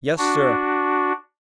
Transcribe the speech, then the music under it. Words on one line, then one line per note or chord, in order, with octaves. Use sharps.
"Yes, sir."
D4 F#4